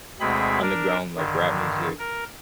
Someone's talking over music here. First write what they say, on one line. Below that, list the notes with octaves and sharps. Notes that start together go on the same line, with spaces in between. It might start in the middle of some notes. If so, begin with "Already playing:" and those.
underground, like, rap music,
D2 B2 G#3 C4 G#4 B5
D4 A#4
G2 D3 D#3
A#4